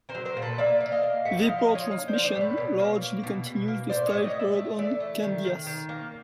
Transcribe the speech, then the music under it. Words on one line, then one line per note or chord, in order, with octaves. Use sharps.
"Vapor Transmission" largely continues the style heard on "Candyass".
A#4 C5
F#3
A#4 C5
A#2
A4 B4
A#3 D5 E5
A#3
D#5 F5
A#3
A2 E5 F#5
D#5 F5
F3
D#5 F5
F3
C#5 D#5
A#3
C5 D5
F3
C5 D5
A2
B4 C#5
B2
A#3
A#3
B2
B2
A#3
A2 C5 D5
C#5 D#5
A2
C#5 D#5
A3
D5 E5
A3
E3 D5 E5
A3
D#3
D#3
D#3
A#3